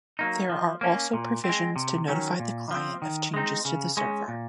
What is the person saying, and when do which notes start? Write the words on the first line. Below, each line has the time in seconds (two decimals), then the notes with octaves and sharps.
There are also provisions to notify the client of changes to the server.
0.19 F#3 A#3 D#4
0.50 F3
0.81 A#3 C#4
1.13 A#2
1.44 C4
1.49 G#3
1.76 C3
2.08 D#3 F#3 C#4
2.40 A#2
2.71 F3 C4
3.02 D#3
3.34 G#3 C4 D#4
3.65 C#3
3.97 G#3 C#4
4.28 A#2